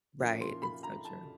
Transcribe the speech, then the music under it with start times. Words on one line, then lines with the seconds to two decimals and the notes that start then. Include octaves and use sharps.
Right, it's so true.
0.20 A#2 F3 A#3 C#4
0.41 C6
0.62 B5
0.83 A#5
1.05 A5